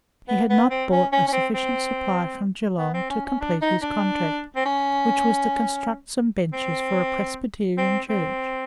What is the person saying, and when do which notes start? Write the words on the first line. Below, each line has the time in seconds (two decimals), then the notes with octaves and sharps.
He had not brought a sufficient supply from Geelong to complete his contract, which was to construct some benches for a Presbyterian Church.
0.28 B3
0.50 B3
0.71 C4
0.91 C#4
1.13 C#4
1.28 C#4
1.33 C4
1.54 C4
2.78 B3
2.94 C4
3.10 C#4
3.26 C#4
3.41 D4
3.62 D#4
3.82 D4
4.56 C4
4.65 C#4
6.53 C4
7.78 C4
8.09 C4